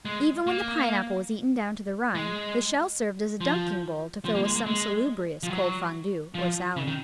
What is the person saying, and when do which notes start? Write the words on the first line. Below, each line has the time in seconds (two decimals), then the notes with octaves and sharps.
Even when the Pineapple was eaten down to the rind the shell served as a dunking bowl to fill with some salubrious cold Fondue or salad.
0.05 G#3
0.47 A#3
2.15 G#3
3.41 F3
4.25 F3
4.35 A#3
4.45 G#3
4.56 A#3
4.67 G#3
5.43 F3
5.50 F#3
6.35 F3
6.76 C#3
6.87 D#3